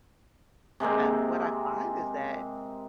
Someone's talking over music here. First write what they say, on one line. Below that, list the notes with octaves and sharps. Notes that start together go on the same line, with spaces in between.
Um, what I find is that,
C3 G#3 A#3 C4